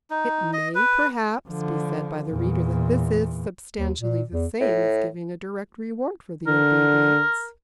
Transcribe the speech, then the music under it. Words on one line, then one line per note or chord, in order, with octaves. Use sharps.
It may, perhaps, be said by the reader that this is substantially the same as giving a direct reward for the obedience.
D#4
D#5
B4
D3 F3
E2 A#2
D#2
A#2
E2
A2
D3 A#4